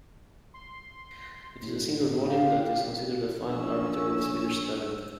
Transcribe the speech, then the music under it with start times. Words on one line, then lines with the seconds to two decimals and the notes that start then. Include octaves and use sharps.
It is a single volume that is considered the final arbiter of Swedish spelling.
0.54 C6
1.62 A2
2.28 G4 F5
3.49 A#1 C#4 E6